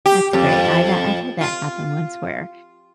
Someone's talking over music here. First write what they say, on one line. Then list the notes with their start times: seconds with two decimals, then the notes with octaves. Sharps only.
That's great. I've, uh, I've had that happen once where,
0.06 G4
0.33 F2
1.41 F4